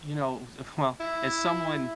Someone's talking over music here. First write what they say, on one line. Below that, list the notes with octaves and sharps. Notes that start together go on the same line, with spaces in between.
you know, who's well, as someone
E4